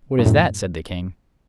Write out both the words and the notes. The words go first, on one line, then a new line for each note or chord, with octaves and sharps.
"What is that?" said the king.
G2
F#2 A2